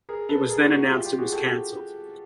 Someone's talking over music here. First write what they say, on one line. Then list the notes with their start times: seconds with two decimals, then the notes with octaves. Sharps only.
It was then announced it was cancelled.
0.09 G#4 A#4
0.29 A4 B4
0.50 G#4 A#4
0.70 F#4 G#4
0.91 F4 G4
1.05 F4 G4
1.19 F#4 G#4
1.32 G4 A4